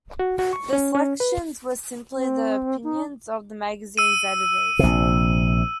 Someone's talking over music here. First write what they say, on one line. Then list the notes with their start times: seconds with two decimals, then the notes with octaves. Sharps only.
The selections were simply the opinions of the magazine's editors.
0.19 F#4
0.39 F#4
0.53 C#6
0.73 C#4
0.95 C#4
1.20 B4
2.16 C4
2.84 D#4
3.98 E6 D#7
4.79 A#1 C3